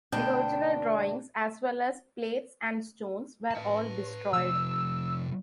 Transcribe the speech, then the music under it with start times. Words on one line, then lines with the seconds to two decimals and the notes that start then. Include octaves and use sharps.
The original drawings, as well as plates and stones, were all destroyed.
0.12 D2 B2 D4 G5
3.51 B4 A5
4.33 C3 F3 E6